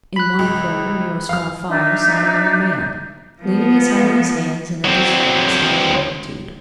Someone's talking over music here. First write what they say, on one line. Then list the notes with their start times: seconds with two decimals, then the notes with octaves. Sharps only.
In one corner, near a small fire, sat an old man, leaning his head on his hands in a disconsolate attitude.
0.16 B5 F#6
0.39 C#2
1.29 F5 F6
1.68 D4 D#4 E5
3.42 F3 B3
4.85 F#3 C4